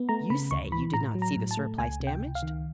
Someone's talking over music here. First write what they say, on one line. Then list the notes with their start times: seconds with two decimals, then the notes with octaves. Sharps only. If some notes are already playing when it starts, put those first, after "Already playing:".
"You say you did not see the surplice damaged?"
Already playing: B3
0.09 A3 A#5
0.30 C#3 B5
0.51 D2 C#6
0.72 E3 B5
0.94 A2 A#5
1.15 F#3
1.22 A#5
1.37 A2
1.51 A5
1.57 A3
1.78 C#2 G#5
2.00 C3
2.07 G5
2.21 C#2
2.35 F5
2.43 D#3